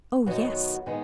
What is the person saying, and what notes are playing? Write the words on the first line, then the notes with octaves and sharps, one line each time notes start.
"Oh, yes."
F#2 D#3 F#3 B3
D#3 G#3 B3 D#4